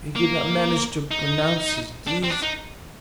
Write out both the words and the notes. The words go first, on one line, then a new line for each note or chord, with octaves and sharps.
He could not manage to pronounce his Ds.
A#3
D#4
D4
C4
D4
D#4